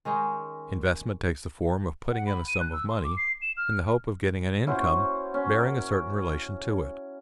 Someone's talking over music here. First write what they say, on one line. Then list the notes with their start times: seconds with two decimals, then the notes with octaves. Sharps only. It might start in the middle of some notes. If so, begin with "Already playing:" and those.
Investment takes the form of putting in a sum of money in the hope of getting an income bearing a certain relation to it.
0.05 D#3 G#3 C#4 D#4
2.12 F#5
2.27 B5
2.48 D#7
2.60 F#6
2.73 E6
2.88 C6
3.04 D6
3.17 C7
3.42 E7
3.57 F6
4.67 C#4 E4 F#4 C5
5.34 C#4
5.60 A#4